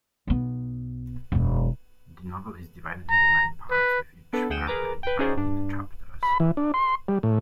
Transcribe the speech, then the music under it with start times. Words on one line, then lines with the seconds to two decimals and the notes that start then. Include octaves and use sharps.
The novel is divided into nine parts, with each further divided into chapters.
0.27 B1 B3
1.32 E1 F#2
3.11 A#5
3.71 B4
4.33 B3 D4 A4 B4
4.50 D2 G#4 F#5 G5 D#7 E7
4.67 G#4 A#4 B4 A#5 D6
5.03 B4 G5
5.19 C#4 D#4 F#4 G#4 C5 D5
5.37 G2 D4
6.23 B5
6.40 E3
6.57 D4
6.74 C6
7.08 G3
7.23 A2